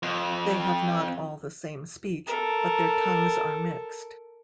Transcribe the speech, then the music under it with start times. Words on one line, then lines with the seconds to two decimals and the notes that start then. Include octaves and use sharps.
They have not all the same speech, but their tongues are mixed.
0.03 F2
2.27 A4 A#4